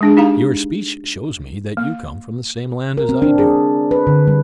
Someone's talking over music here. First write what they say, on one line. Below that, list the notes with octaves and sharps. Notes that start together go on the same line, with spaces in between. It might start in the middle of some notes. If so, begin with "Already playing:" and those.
Your speech shows me that you come from the same land as I do.
G#3 D4 G#4
D#4 G4 F5 A#5
A#3
A#4
C4
D4
G#4
B4
D3
G3